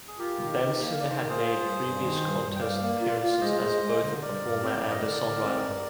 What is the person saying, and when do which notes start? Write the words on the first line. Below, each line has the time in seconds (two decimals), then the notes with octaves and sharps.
Benson had made previous contest appearances as both a performer and a songwriter.
0.08 G#4
0.19 F4 G4 A#4
0.39 D#3
0.60 D#3
0.80 A#3
1.00 D#3 D5
1.10 C5
1.19 A#3 A#4
1.29 G#4 C5
1.40 F4
1.60 G2
1.80 G2
2.00 D#3
2.20 G2
2.40 G2
2.56 G5
2.60 G2 D5 F5
2.81 A#3
3.01 F4
3.21 F4
3.33 F5
3.41 G#3 C5 D#5
3.61 G#3
3.82 G#3
4.02 D3
4.22 G2 A#4 D5
4.42 G2
4.62 C4 G5
4.78 G2 F5
4.90 D#5
5.02 D3 A#4 D5
5.23 D3
5.43 C4
5.63 G2